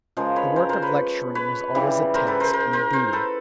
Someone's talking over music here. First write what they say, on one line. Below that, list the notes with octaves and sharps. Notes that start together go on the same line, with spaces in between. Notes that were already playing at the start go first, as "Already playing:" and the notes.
The work of lecturing was always a task and a duty.
C#3 F3 G#3 A#4 C5
B4 C#5
A#4 C5
A#4 C5
B4 C#5
B4 C#5
C#3 E3 G3
A#4 C5
A4 B4
A#4 C5
A#4 C5
A#4 C5
A#4 C5
A4 B4